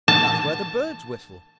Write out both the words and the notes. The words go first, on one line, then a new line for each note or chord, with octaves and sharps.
That's where birds whistle.
A5